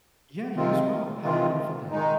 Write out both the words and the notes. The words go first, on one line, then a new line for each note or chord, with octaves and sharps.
Yeah, you as well. Have a wonderful day.
C3 D#3 G#3 C4 F4
C3 D#3 G#3 C4 F4
D#3 G#3 D#4